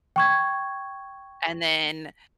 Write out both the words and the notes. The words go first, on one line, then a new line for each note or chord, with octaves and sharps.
And then,
G5 C#6 G#6